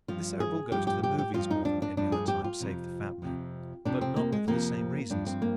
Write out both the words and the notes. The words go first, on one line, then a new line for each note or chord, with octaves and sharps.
The Cerebral goes to the movies more than any other type save the fat man, but not for the same reasons.
G2 F3 F4
G#4
G2 F3 G4
G4
G4
G4
G2 F3 F4
D#4
D4
D4
G2 F3 D4
G#4
G4
F4
F2 C3 F3
F2 C3 F3
F2 C3 F3 D4
C4
A#3
G#3
F2 C3 F3 A#3
G2 F3 D4
C4
A#3